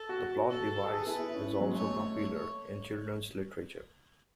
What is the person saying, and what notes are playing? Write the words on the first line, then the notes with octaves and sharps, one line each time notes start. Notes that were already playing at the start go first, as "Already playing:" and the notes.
The plot device is also popular in children's literature.
Already playing: A4
F#4
A4
A4
G#4 B4
E4
E4
C#4
F#3
G#3
A3 C#5
C#5